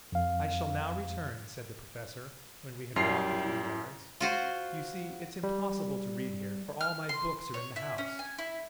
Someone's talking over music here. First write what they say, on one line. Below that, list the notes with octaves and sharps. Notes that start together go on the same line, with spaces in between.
"I shall now return," said the Professor, when we had walked a few yards: "you see, it's impossible to read here, for all my books are in the house."
F2 F5
F#2 G3 E4 F4 C7
F4 F#4 C5
G3
F6
C6
C#5
E4
C#4
G#5
E4